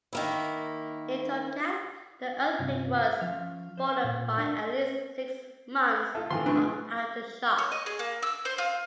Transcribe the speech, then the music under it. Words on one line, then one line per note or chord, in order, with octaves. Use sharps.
In Tokat the earthquake was followed by at least six months of aftershocks.
D#3 A#3 E4
G2 C3 F4
C5 E5 G#5
F3 C#4 F5
C5 F5 G5
A#2
A3 D4 A#4 D5 G5
F4 A4 E5
A2 E3 F3 C6
B1 A2 D4 B4 C#6
C#5
D#5
G#4
A#3
E6
C5
F4